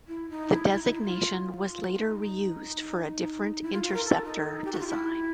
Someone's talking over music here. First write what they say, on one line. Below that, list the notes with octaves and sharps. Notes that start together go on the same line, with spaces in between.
The designation was later reused for a different interceptor design.
E4
D#4
E4
D#4
E4
D#4
E4
F4
D#4
E4
F4
F4
A#4
A4
D#4
G4
F#4
F4
E4